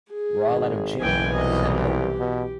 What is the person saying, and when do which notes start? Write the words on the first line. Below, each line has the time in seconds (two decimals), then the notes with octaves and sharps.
We’re all out of gin: send help!
0.12 G#4
0.48 G#1
1.00 F#1 B1 E3 G5 G#5
1.33 C2 D#5
1.74 G4
2.19 B2